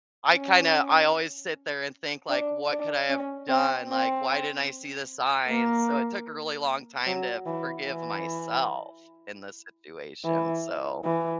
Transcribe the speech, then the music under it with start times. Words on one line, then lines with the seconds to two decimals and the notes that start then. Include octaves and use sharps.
I kinda I always sit there and think like, "What could I have done?" Like, "Why didn't I see the signs?" So it took a really long time to forgive myself in this situation, so
0.31 C#4
2.30 D4
2.70 D4
3.10 C#4
3.49 C4
3.89 C4
5.48 A#3
7.07 F#3
7.46 E3
7.87 E3
10.25 E3
11.05 E3